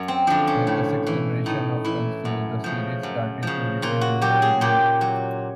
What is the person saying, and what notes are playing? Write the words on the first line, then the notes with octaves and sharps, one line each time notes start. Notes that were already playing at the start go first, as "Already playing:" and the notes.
With the sixth generation of consoles the series started to receive lower reviews.
Already playing: F#2
C4
D3 F3 D4
C#4
A2
E3
A2 D#4
E3 E4
F#2
C#3 F3
F#2
C#3 F3
A#2 F4
F#4
F#3 G4
G#4
A#2 G4
F#3